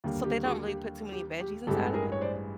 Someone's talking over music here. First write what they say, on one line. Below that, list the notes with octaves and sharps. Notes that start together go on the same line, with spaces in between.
So, they don't really put too many veggies inside of it?
D#2 D3 G3 A#3
G4
F#4 G#4
G4
G4
G4
A1 G2 E3 G#3 G4 A4
A4
G#4 A#4
C#5
C5 D5